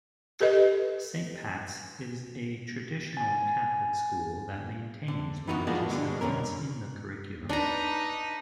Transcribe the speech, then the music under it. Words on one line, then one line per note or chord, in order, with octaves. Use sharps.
"Saint Pat's" is a traditional Catholic school that maintains religious elements in the curriculum.
G4 A4 B4 D#5
G#5 A6
D3
E3 B3 D#4 F4 F#4
F3 G#3 A#3 B3 D4 F#4
G2 B2 D3 G3 G#3 D4
B2 D3 C#4 A#4
D4 D#4 B4 A#5